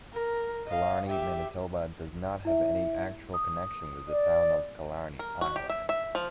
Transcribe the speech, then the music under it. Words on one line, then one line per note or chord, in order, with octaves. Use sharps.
Killarney, Manitoba does not have any actual connection with the town of Killarney, Ireland.
A#4
D#5 F5
G4 E5
E4 E5
D#6
D5
A#4
F#4
G4
E5
E5
F3